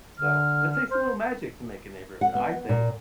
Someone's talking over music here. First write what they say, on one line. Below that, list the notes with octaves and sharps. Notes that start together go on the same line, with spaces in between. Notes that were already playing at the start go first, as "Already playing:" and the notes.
So, it takes a little magic to make a neighborhood, I think,
D3 F6
C5
F#5
B3
A#2